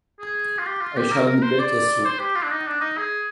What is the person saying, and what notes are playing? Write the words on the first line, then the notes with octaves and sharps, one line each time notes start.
I shall be better soon.
G#4
F4
G4
F4
G4
A#4
A#4
C5
D5
C5
G4
F4
D4
D#4
D4
D#4
G#4